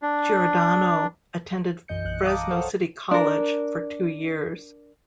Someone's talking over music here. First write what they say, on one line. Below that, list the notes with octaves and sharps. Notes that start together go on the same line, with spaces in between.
Giordano attended Fresno City College for two years.
D4
B1 F#2 E3 D#5 G6 C#7
A#1 F#6
F5 A5 A#5 D6 D#6
A4 A#4 C5 C#5 F5 F#5
D4 A#4